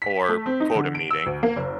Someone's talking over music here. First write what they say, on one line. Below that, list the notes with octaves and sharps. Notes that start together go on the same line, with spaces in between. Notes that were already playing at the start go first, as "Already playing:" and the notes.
or quota meeting.
B6
A3
C4
D#4
D3
D7
E6
D2
A#3
F#1